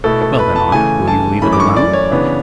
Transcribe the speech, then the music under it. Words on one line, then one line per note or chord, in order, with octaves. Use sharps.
"Well then, aunt, will you leave it alone?"
B2 A3 E4 A4
A4
B4
A5
C#3 E3 A3 G#5
A5
F#2 E3 A3 C#4 B5
D6
C#6
D5
C#5
C#3 E3 B3 D4